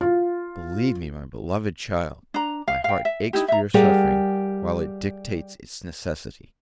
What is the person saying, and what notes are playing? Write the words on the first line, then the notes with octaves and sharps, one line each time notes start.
Believe me, my beloved child, my heart aches for your suffering, while it dictates its necessity.
F4
D4 A#5
F5
F5 G5
E5
D#4 E4 G4
E5 A#5
G3 G4 G#4 A#4 F5 F#5